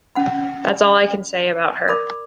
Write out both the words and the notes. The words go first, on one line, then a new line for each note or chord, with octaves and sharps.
That's all I can say about her.
C#4 F#5 B5
A#4 D5 B5 D6